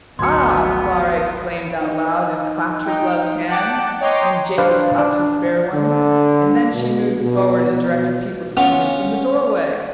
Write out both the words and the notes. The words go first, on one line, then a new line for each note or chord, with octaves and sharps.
"Ah!" Clara exclaimed out loud, and clapped her gloved hands; and Jacob clapped his bare ones; and then she moved forward and directed people to come in from the doorway.
G#1 D2 A2 F#3 B3 C6 G#6 C#7
D#4
D#4 G5
F#5 G5 A5 D6 F#6
C#5 D#5 G5 A#5 C6 D6
D4 B4 C5 D5 F5
D4
D3
B2
B2
B2
B3 C#4 F4